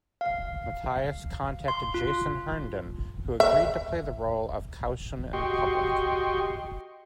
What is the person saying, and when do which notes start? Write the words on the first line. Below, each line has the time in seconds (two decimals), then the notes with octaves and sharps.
Matias contacted Jason Herndon who agreed to play the role of Caushun in public.
0.21 F5
1.68 C6
1.94 F4
3.40 E5
5.33 F#4 G4 D#5 G5 C6 C#6